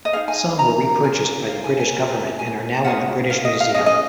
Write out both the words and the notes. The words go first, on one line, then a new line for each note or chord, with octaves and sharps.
Some were repurchased by the British government and are now in the British Museum.
D#5
D#4 G#4 F5
G#5
A#5
F4 A#4 G#5
F5
G#5
G#5
C#4 F#4 A#4
G#5
C#4 F4 G#4 F#5
F5
D#5
F5
C#4 G#4 D#5
D#5